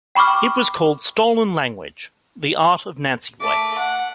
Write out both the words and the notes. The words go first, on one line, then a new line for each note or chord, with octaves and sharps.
It was called "Stolen Language - the art of Nancyboy".
G5 B5 C#6 D6 F6
A3 D6
F#5